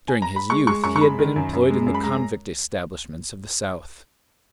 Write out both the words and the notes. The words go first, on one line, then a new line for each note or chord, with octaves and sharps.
During his youth he had been employed in the convict establishments of the South.
G#5
A#5
B5
G#3 C#6
G#3 C#6
F#2 C#6
C#6
G#3 B5
D#3
F#2
F#2
G#3
F#2
B5
G#3 A#5